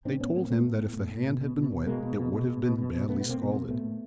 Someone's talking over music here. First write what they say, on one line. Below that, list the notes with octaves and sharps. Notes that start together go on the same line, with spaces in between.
They told him that if the hand had been wet it would have been badly scalded.
A2 C4 D4
A2 B3 C#4
A2 A#3 C4
A2 A3 B3
A2
A2
A2
A2
B2
B2
B2
B2
B2 G#3 A#3
B2
B2
B2
B2
B2
B2
B2
B2 A3 B3
B3
B2
A#3 C4
B2 B3
B2 A#3 C4
A2 A3 B3
A2